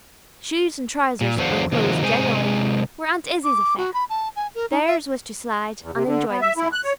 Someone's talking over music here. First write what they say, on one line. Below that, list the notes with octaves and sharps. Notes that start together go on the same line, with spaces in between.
Shoes and trousers, and clothes generally, were Aunt Izzie's affair; theirs was to slide and enjoy themselves.
A#2
E2 D3 F#3 C5 F5 F#5
C3 D#3 F3 A#3 F#4
C3 G#3 C5 G#5
D6
F#4
B5
A5
G#5
A#4
D#4
E5
E2
C3
D3
B3
E5
E4
F#6
C#5